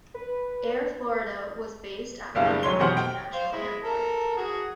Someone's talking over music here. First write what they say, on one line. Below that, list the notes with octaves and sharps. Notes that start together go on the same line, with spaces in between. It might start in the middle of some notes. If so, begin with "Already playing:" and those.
Air Florida was based at Miami International Airport.
B4
F#1 G3 D4 E4 G#4 F5
F1 F#3 C#5 C6 G7
B2 E3 G4 C5 F#5 F6
G5
C5 F5
G#3 E4
A4 A#4
F#4 G#4